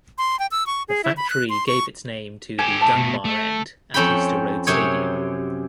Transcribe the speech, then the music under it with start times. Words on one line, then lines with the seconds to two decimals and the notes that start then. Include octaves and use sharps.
The factory gave its name to the "Dunbar End" at Easter Road Stadium.
0.18 C6
0.39 G5
0.51 E6
0.66 C#6
0.88 G#4
1.04 E4
1.17 B5
1.30 F#6
1.49 C6
1.67 C#6
2.59 G4 A4 G#5
2.81 A5
2.95 B2 A3
3.25 A3
3.94 F2 C4 C#4 C5 G5 B5
4.67 F#2 C3 G#4 C#5